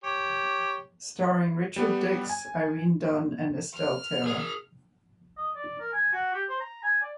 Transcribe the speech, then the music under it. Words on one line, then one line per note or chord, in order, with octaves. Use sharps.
Starring Richard Dix, Irene Dunne and Estelle Taylor.
G4 C#5
G3 B3
G#5
F6
G#4 A#4
D#5
D5
A#4
G#5
F#4
G4
C5
A#5
G#5
D5